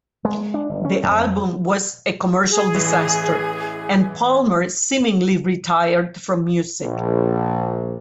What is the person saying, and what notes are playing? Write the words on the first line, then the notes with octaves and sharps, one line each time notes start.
The album was a commercial disaster, and Palmer seemingly retired from music.
G#3
D4
G1
C#4
F2
G#4
A1 E3
A#1